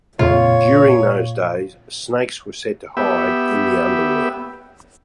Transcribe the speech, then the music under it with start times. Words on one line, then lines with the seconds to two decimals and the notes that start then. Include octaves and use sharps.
During those days, snakes were said to hide in the underworld.
0.19 F2 A#2 C#3 F4 C#5
2.97 B3 G4 E5